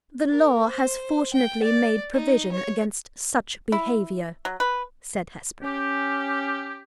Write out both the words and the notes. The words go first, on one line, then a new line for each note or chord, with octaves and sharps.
"The law has fortunately made provision against such behavior," said Hesper.
A#4
C5
G5
D5
D#4
C#5
E4
F#3
B4
C#4 G4